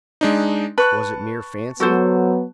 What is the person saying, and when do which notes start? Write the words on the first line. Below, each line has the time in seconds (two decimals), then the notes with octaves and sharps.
Was it mere fancy?
0.21 G#3 D4 D#4
0.78 B4 A5 C#6 F#6
1.80 F#3 B3 F#4 A4 C5